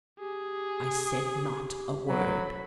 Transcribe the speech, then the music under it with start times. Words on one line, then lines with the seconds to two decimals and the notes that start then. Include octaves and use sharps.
I said not a word.
0.20 G4 G#4
2.09 F#3 A4 B5